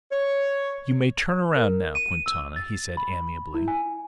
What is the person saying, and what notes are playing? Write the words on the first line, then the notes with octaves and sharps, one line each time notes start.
"You may turn around now, Quintana," he said amiably.
C#5
A#4
D#7
E6
A6
B5
E4
G#5